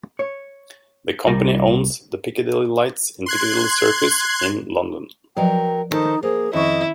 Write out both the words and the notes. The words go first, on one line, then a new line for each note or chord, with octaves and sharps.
The company owns the Piccadilly Lights in Piccadilly Circus in London.
C#5
C2 G3 A#4
C6 F#6 G#6
F3 F#3 A#4 B4 D#5 G5
D#3 D#4 A4 C5
A#3 G#4 C5
F2 D#3 C#4 E4 D#5 C#6